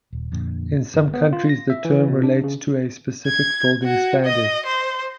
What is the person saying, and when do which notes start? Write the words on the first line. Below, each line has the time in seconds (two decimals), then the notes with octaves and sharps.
In some countries the term relates to a specific building standard.
0.13 D#1
0.32 F2 A#2 D3
0.94 G1
1.14 B3
1.33 F4
1.49 A#6
1.70 E5
1.85 E3
2.08 B2
2.23 D4
2.44 C#3
3.27 G#6
3.84 F#4
4.25 D#5
4.66 C5